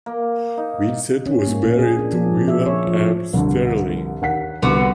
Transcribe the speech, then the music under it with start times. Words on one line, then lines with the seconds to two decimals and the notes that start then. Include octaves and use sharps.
Vincent was married to William M. Sterling.
0.06 A#3
0.57 D#4
1.26 C#4
1.48 A#3
1.64 A#2
1.79 G#4
1.99 D4
2.13 F3
2.48 E5
2.66 C#5
2.87 F3
3.33 C2 G2 D3
4.22 D#2 F#5 B6
4.62 C2 D3 B3 F#4